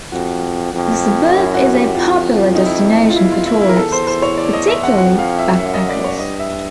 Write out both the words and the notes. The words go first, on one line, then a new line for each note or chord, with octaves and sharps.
The suburb is a popular destination for tourists, particularly backpackers.
F2 F#4
F2
D#4
F#2 E4
F#4
G4
F2 F4
F4
F4
D#4
E4
D#4
F4
E2 E4
F4
E4
E4
A#4
A4
C5
C5
C#5
D5
D#5
E5
F#5
F2 F#5
F5
E5
F#2 E5
D#5
D5
C#5
G2 D#5
E5